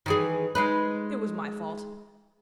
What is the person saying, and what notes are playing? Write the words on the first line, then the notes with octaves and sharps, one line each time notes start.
It was my fault.
D#3 E3 G#4
G#3 D#4 B4